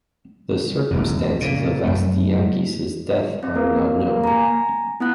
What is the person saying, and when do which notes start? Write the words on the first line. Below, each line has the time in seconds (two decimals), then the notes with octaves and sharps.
The circumstances of Astyages' death are not known.
0.91 D#1 G#1 E2
1.41 A#2 C#3
1.84 F#2 A3
3.43 C4
3.55 A#3 A#4
4.24 G#5 A#5
5.00 B3 E4 F4 F#6